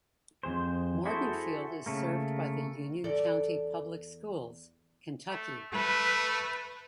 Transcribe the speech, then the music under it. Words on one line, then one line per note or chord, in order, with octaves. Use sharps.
Morganfield is served by the Union County Public Schools, Kentucky.
F2 A#2 G#4 C5
E4 F#4 G#4 A4 C5
C#3 A3 A#3
E2 A4 D5
A3
A3 B4